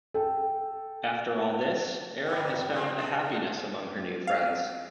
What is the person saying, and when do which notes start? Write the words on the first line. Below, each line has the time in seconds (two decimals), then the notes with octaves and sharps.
After all this, Erin has found a happiness among her new friends.
0.14 A4 G5
2.26 G2 G3
2.73 F3 G3 C4
2.98 G#3 D4
3.21 C#3
4.27 F5